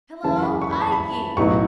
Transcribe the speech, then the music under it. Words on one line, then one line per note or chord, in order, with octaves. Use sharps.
"Hello, Ikey!"
F#2 C#3 E3 A5
B5
C#6
B5
A5
B5
B1 A2 F#3 B3 D#4 C#6